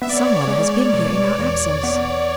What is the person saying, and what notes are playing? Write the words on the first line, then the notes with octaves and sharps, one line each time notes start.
"Some one has been here in our absence."
B3 E5
D5
C#5
D5
G#3
B2
E2
B3